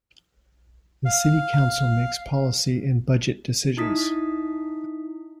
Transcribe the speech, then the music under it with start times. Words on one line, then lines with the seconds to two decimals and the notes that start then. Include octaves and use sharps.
The City Council makes policy and budget decisions.
1.05 F5
3.77 D#4 E4 D#6 B6